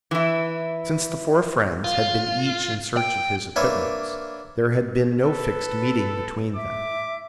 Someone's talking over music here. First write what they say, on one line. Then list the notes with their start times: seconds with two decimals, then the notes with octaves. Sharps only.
Since the four friends had been each in search of his equipments, there had been no fixed meeting between them.
0.11 E3 E4
1.84 F4
2.97 G5
3.56 A#3 D4 B4 C#5 E5
5.23 A4 B4
6.56 E5 D6